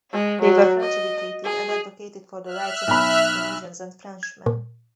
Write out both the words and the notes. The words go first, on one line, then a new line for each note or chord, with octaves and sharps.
They were French-educated and advocated for the rights of Tunisians and Frenchmen.
G#3
F#3
D#5
G#4
E5 F6 F#6
B1 B5
G#6
A#2